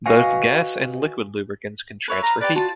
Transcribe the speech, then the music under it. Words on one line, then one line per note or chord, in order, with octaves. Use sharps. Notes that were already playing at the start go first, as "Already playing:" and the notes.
Both gas and liquid lubricants can transfer heat.
F#4 B4 D#5 F5 F#5 G#5
B4 C#5 E5
B4 F5 A#5
G4 B4 D5
F4 F#4 A5